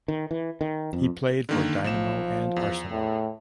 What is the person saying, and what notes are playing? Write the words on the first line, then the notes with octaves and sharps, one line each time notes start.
He played for Dynamo and Arsenal.
D#3
E3
D#3
F2
D3 D#3 A#3
B1 F3 E7
E2
A2